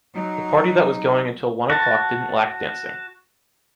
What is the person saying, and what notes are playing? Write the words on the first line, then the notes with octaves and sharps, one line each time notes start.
The party that was going until one o’clock didn’t lack dancing.
F#3 D#4
F#4 A5